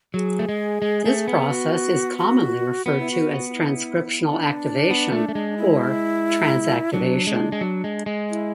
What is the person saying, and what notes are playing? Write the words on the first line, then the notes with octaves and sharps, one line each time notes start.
This process is commonly referred to as transcriptional activation, or transactivation.
F#3 G#4
A3
G#3
G#3
A3
B3
F#4
F#4
B3 F#4
E4
F#4
F#4
E4
D4
B3
A3
A3
G#3
E4
F#3 D4
G#3
G#3
F#3
G#3
G#3
E4